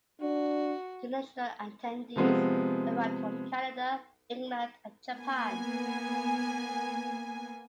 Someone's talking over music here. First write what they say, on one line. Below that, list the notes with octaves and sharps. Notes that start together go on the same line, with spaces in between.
International attendees arrived from Canada, England and Japan.
D4 F#4
C3 F3 G#3 B3 C4
A#3 B3 G#5